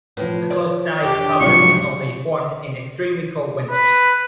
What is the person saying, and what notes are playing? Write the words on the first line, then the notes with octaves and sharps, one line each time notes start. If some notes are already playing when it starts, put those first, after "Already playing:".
A closed ice cover is only formed in extremely cold winters.
A2 F3 B4
C#5 D5
F2 E3 D4 G4 C#5
C2 G#2 F3 F#3 F5 C#6
B4